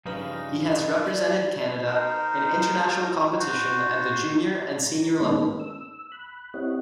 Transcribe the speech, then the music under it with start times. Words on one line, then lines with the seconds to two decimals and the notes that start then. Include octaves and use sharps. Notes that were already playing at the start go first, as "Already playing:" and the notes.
He has represented Canada in international competition at the junior and senior level.
0.06 G2 C#3 F3 D#4 B4
1.06 D5
1.86 D#4 A#4 C5
3.40 F#4 C5
4.77 A#5
5.20 D#3 G#3 A#3 B3 C#4 D#4
5.60 E6
6.12 B5 F#6
6.54 C4 E4 G4 C#5 D#5 F#5